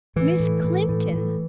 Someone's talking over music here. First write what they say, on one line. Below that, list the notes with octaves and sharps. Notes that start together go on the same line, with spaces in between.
Miss Clinton!
A2 E3
A2
A2
A2
A2